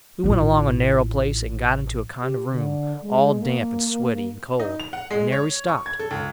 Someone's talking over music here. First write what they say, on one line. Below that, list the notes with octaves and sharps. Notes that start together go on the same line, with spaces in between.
We went along a narrow place and got into a kind of room, all damp and sweaty and cold, and there we stopped.
A1 F4
G4
D3
G#3
A#3
D#4
F7
F#5
G#3
C#5
C#6
G#6
A4
C#2